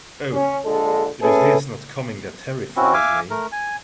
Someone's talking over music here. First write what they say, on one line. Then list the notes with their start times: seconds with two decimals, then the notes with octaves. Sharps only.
Oh, it is his not coming that terrifies me.
0.33 C#4
0.65 A#1 D3 G#3 A4
1.22 A3 C#4 G#4 A4 B4
2.76 C4 C#4 E4 F#4
2.94 E5 F5 G#5 D6
3.30 A3 A#4
3.52 G#5